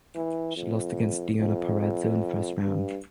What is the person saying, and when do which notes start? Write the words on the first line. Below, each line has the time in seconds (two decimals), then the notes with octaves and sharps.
She lost against Deonna Purrazzo in the first round.
0.15 E3
0.56 F2
1.39 F2
1.80 F2
2.62 G2